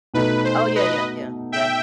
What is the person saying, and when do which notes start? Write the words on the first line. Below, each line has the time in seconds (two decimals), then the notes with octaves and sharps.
Oh, yeah, yeah, yeah, yeah.
0.14 B2 A3 D#4 B4
0.44 C5
0.76 B4 D#5
1.52 E5 G5